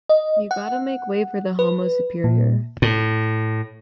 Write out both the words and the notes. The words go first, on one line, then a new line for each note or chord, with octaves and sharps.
You gotta make way for the Homo Superior.
D#5
F#5
B4
A#2
A2